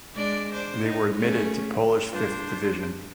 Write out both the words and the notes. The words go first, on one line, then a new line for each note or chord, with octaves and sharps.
They were admitted to Polish Fifth Division.
G#3 D4 D5
D4 C5
D#4
A3 C#4 G#4
G3 D4 F4 B4 C5